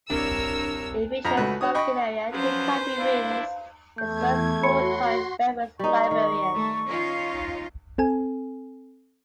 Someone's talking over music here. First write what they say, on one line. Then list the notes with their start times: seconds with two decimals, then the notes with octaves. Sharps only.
It featured a smoking area, two typing rooms, and its first full-time reference librarian.
0.10 C2 D4 A#4 C#5 E6
1.25 F2 A#5
1.37 C#2 A3 F#4 B4
1.61 F#4 C#5 D#6
1.75 D#5 G5 B5 C#6
2.31 F3 F#3 C#4 B4 C5
2.98 D4 E4 F5
3.98 E2 A3 G6 G#6
4.63 F#4 C#5 B5 C6 C#7
5.79 G3 D#4 C#6
6.11 D#3
6.54 A3
6.88 C#4 D#4 F4
7.98 C4 A4 G#5